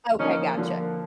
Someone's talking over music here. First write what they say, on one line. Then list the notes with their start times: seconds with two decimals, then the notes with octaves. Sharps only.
Okay, gotcha.
0.19 D3 F3 A#3 C#4 D#4
0.57 D3 F3 A#3